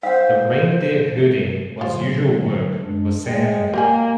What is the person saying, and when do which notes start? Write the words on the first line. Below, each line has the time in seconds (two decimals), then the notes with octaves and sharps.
The reindeer herding was usual work for Saami.
0.03 C5 F5 F#5
1.81 D3 F#3 F4 C5
2.82 F#2 G#3 D4
3.25 G#3 G5
3.74 A#3 G4 A#4 G#5